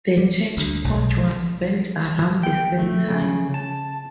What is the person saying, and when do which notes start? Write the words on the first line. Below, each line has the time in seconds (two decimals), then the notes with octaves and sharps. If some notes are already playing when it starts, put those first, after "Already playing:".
The church porch was built around the same time.
0.18 G3
0.57 D2
0.84 B1
2.43 G5
2.79 A3
3.10 C#3
3.54 A5